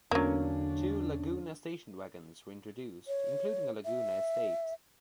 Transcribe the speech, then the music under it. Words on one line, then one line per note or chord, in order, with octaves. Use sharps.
Two Laguna station wagons were introduced, including a Laguna Estate.
E2 D3 F#3 A#3 C#4 D4
C#5
E5